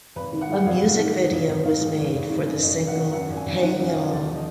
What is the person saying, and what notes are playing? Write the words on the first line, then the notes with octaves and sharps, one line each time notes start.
A music video was made for the single "Hey Y'all".
G#1 B4
D#3
F#5
G#2
F#5
G#1 F5
G#1
D#3
G#2
G#1
G#1
D#3 F5
G#2
G#1
G#1
D#3
F#2
G#1 D#5
G#1
F#5
D#3
F#2 F#5
G#1
G#5
G#1
D#3 F#5
F#2
F5
G#1
D#2 D5
F3
D#5